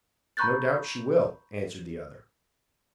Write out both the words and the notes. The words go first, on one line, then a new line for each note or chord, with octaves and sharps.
"No doubt she will," answered the other.
A#5 B5 C#6 F#6 G6 A6